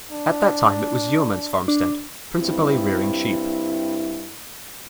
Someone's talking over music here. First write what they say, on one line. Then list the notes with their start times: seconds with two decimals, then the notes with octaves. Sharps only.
At that time it was a yeoman's farmstead, principally rearing sheep.
0.11 D4
1.68 D4
2.38 G2 C4 E4